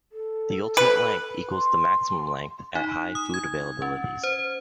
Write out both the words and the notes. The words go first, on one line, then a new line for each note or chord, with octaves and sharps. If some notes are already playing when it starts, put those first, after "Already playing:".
The ultimate length equals the maximum length at high food availabilities.
A4
B4
C6
D#4
D#6
G#6
C#4
C5